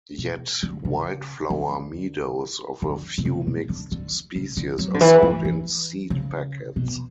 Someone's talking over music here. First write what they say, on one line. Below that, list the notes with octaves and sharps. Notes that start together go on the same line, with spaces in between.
Yet "wildflower" meadows of a few mixed species are sold in seed packets.
B2
D3
C#3
D3
D3
B2
C#3
B2
D3
D3
C#3
D3
F#3
D3
E3
E3
E3
C#3
B2